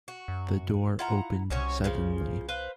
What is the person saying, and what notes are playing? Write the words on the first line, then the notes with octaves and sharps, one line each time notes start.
The door opened suddenly.
F#4
F#2
E4 F4 F#5 A#5
C2 C#4 F#4 C#5
C#3 F3
B4 C5 F5